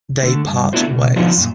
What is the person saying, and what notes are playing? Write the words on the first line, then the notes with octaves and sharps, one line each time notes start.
They part ways.
D3 A3
G2
A3 B3 D4 E4 F#4 C5
B2
F3 F#3 B3 D4 D#4 F4
F#2 A#2